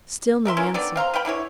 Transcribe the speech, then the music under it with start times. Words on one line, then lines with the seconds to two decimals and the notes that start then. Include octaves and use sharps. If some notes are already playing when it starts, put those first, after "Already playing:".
Still no answer.
0.45 A3 A#4 E5 C6
0.57 E3 C#4 A#4
0.74 D3 D#3 B3 D5
0.96 C4 F5 A#5 C6
1.14 B4 F5 G5 B5
1.25 D3 E3 E4 C#5